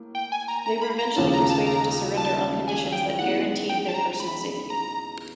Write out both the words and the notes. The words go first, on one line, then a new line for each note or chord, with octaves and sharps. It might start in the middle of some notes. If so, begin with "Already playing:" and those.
They were eventually persuaded to surrender on conditions that guaranteed their personal safety.
Already playing: A2 A#3
G5
G#5
A#5
A#5
B5
A#5
D#2 C#3 F3 A3 C#4 A5
A#5
A5
A#5
A5
G#5
G5
A2 E3 G#3 B3 D#4 F#5
G5
A5
A#5
B5
A#5